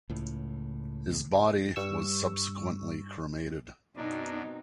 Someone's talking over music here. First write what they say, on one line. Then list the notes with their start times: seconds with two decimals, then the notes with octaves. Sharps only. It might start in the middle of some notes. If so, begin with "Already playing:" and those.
His body was subsequently cremated.
0.09 C#2 A2
1.76 G2 C#6 E6
3.96 F#2 B2 C4 D4 D#4